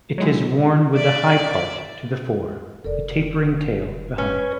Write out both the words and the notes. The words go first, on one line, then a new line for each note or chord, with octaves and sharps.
It is worn with the high part to the fore, the tapering tail behind.
F#3 G#3 E4
D5 E5
F1 A4 A#4 D5
C#4 B4 C#5 G#5